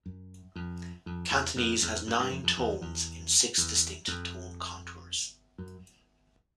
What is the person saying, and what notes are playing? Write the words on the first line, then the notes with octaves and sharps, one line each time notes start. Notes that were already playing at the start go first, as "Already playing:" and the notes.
Cantonese has nine tones in six distinct tone contours.
F#2
F2
F2
E2
F2
E2
F#2
G2
F2
F2
E2
E2
E2
F2
F#2